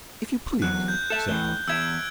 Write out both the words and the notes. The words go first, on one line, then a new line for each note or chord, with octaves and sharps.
"If you please," said Allan.
E2 F#3 F#6
G6
A4 E5
A2 E3 A3 G7
E2 E5 E6 G#6 D7